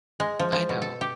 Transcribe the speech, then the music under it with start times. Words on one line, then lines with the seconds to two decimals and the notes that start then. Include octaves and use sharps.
I know.
0.20 G#3
0.39 F3
0.52 F3
0.69 B2
0.82 A4
1.01 G4